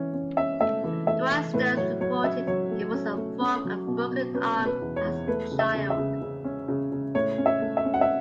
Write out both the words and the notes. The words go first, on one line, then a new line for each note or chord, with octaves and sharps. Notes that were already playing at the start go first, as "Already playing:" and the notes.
Dwight Stones reported it was from a broken arm as a child.
Already playing: E3 C#4
C#4
C#4 E5
A3 E5
E3
A3 E5
E3
A2 B4
F#3 C#5
F#3 C#5
C#4 E5
F#3 C#5
A3
C#4
A3
C#4
F#3
B2
B2
C#4 B4
B2
B4
E2
C#5
E2
A3 B4
C#3
E5
C#3
E5
C#3
C#3
C#4
C#3
C#3
A2 C#5
C#4
E5
A3
E5
C#4
F#5
E5